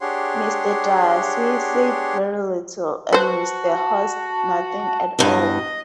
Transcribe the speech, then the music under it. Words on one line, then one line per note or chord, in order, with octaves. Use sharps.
Mr. Darcy said very little, and Mr. Hurst nothing at all.
D4 G4 G#4 C#5 F#5 C6
F#4 B4 C5 A5
E2 G2 D#5